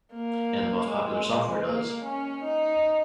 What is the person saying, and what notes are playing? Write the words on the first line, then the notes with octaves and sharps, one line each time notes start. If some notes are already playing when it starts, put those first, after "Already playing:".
And the most popular software does.
A#3
G#3
A#3
C#4
D#4